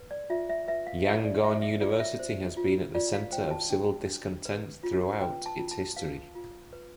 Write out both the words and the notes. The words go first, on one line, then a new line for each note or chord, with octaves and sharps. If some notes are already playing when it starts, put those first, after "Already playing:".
Yangon University has been at the centre of civil discontent throughout its history.
Already playing: B4
D5
F4 E5
E5
B4 E5
F5
F4 E5
D5
C5 E5
E5
F4 D5
E5
C5
F4
F4 D5
F5
C5 G5
A5
D4 G5
D4
B4
F4
B4 G5
A5
F4
A5
B4 F5
F4
B4